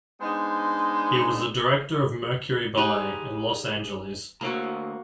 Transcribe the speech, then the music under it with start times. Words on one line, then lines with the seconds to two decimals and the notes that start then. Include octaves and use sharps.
He was the director of Mercury Ballet, in Los Angeles.
0.21 G#3 B3 D4 D#4 C5
2.77 D#4 G4 G#4 B4 G#5
4.41 D2 A#3 F#4 C5 A#5